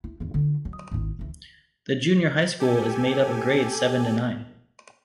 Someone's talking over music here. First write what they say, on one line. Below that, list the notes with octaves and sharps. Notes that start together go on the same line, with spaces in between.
The junior high school is made up of grades seven to nine.
E4
E2 G2
D3 F4
F#3
G#1 E4
C#2 E3
G4 A4 G#5